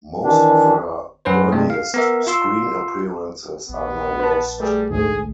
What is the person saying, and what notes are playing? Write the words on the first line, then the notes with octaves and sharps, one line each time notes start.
Most of her earliest screen appearances are now lost.
D#3 E3 D4
F#2 C#4 B4 C5
G2 C3 G#3 A3
F5
B3 A#4 E5
F4 C6 E6
A#1 B3
B4 A5
G3 A3 G#4
D2 G#2 A3 G#4